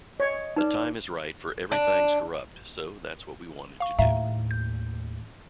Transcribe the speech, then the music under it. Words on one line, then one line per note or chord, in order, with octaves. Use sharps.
The time is right for "Everythang's Corrupt," so that's what we wanted to do.
C#5 D#5
D#4 B4 D5
D4
F5 C#6
D#2 A2 E5 F5 A#5
G6